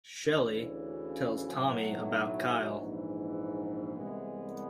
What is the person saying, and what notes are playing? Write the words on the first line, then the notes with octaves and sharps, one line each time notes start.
Shelly tells Tommy about Kyle.
D2 C#3 E3
B1 A2 F#3
A#1 G#2 E3
C2 C3 E3 G#3 B3